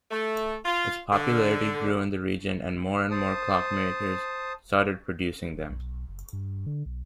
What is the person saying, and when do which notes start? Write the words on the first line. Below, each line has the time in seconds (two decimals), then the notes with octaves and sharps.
Its popularity grew in the region and more and more clockmakers started producing them.
0.11 A3
0.65 F4
1.12 D3
3.11 C5 A5 D#6
5.53 D#1
5.69 B1
6.08 F#1
6.33 G2
6.66 D3
6.86 B1